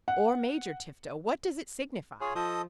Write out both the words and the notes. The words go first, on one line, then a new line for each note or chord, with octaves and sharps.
"Or Major Tifto;--what does it signify?"
F#5
F4 G#4 C#5
F3 A4 D#5 D#6